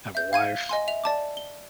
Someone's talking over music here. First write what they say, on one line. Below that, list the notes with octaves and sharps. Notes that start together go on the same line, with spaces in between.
I have a wife,
E5 G6
F5 G#6 D#7
D#5 G#5 C6
E5 F7
D5 A5 D6
G7